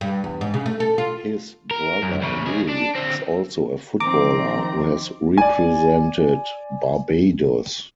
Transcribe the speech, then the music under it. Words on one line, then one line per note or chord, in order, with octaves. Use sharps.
His brother Louie is also a footballer, who has represented Barbados.
G2
E2
G#2
C#3
A3
A4
F4
A#4
F#2
E2 C#3
C#2 G#4
D4
D3 C4
D#3 F3 C4 A#5 D6
D5 G#5